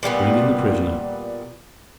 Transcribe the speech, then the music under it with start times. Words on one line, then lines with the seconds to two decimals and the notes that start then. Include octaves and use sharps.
"Bring in the prisoner."
0.03 A#2 G3 A#3 B3